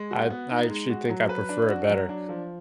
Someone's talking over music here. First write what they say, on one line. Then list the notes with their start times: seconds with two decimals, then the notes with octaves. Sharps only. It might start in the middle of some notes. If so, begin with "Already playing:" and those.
I'd I actually think I prefer it better,
Already playing: G#3
0.11 F#4
0.30 B3
0.51 D#4
0.70 G#3
0.90 F#4
1.10 F#3
1.29 B4
1.49 D4
1.69 F#4
1.89 F#3
2.09 D4
2.29 F3